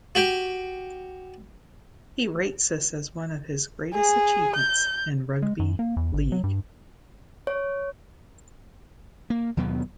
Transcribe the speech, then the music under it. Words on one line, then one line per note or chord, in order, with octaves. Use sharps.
He rates this as one of his greatest achievements in rugby league.
F#4 G4 G5
G#4
G6
G#3
F#2
A#3
E2
G#1
F#3
G2
C#5
A#3
D#2 B2 F#3 B3